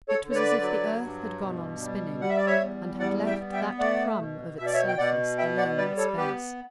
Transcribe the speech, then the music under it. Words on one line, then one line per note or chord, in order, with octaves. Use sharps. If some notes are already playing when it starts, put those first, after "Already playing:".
It was as if the earth had gone on spinning, and had left that crumb of its surface alone in space.
A4 C#5
D3
C#5
B4 D5
F#3
G2
B2
G3
G3 F#5
E5
D5
C#5 E5
E2
G3 D5 F#5
E5 G5
B3
E5 G5
A3 D5 F#5
B2
B2 E5
D5
C#5 E5
G5
B2 D5 F#5
B3 E5 G5
D5 F#5
G3 B4 D5
A4 C#5
B3 G4 B4